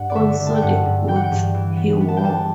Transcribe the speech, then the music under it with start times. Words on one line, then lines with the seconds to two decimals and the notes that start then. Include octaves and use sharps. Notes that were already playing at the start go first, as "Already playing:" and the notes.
Also the boots he wore.
Already playing: G2 F#5
0.10 D5
0.16 D3 E5
0.40 D3
0.47 A5
0.55 G5
0.62 G2 F#5
0.85 G2
1.07 E3 G5
1.16 F#5
1.24 G5
1.31 G2
1.54 E3
1.77 B3
2.00 B3
2.08 A5
2.17 G5
2.23 G3 A5